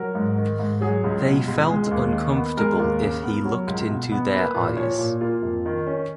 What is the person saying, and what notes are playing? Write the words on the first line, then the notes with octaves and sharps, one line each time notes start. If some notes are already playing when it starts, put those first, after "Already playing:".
They felt uncomfortable if he looked into their eyes.
Already playing: F#3 A#4
G#2
D#3
G#2
F#3 G#4
C#2
B2
C#2
G#3
D#2
D#3
B3
G#3 A#4
D#2
C#3
B3
F#3
C#2
B2
B3
A#3 B4
A#2
F3 C#5
A#2
A#3 F4
F2
D#3
C#4